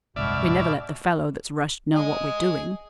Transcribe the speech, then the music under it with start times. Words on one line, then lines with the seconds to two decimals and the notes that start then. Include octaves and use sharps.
We never let the fellow that's rushed know what we're doing.
0.16 F#1 C2 G#2 B2 D5 E5 F6
1.96 D#5 G#5 D#6